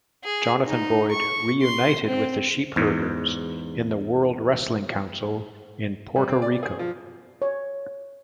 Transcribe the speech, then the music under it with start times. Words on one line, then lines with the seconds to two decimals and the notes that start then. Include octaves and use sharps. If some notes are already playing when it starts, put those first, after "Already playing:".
Jonathan Boyd reunited with the Sheepherders in the World Wrestling Council in Puerto Rico.
0.24 G#4
0.66 D#4
1.11 C#6
1.62 C6
2.06 C4
2.76 E2 G#2
6.16 G3
6.28 C4
6.42 D5
6.63 G#4
6.79 F3
7.42 C#5